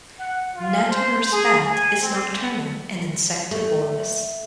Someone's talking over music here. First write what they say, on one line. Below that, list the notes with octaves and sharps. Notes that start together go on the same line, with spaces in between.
Natterer's bat is nocturnal and insectivorous.
F#5
F4
C5
G#4
G#5
C4
A3